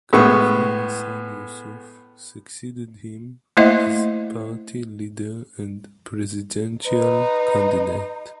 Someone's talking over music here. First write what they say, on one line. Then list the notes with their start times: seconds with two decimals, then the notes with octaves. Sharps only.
Khalifa Hassan Yusuf succeeded him as party leader and presidential candidate.
0.13 A2 G#3 B3 C#6
3.57 A3 A#3 E4 C5 D#5 E5
6.87 D#4 B4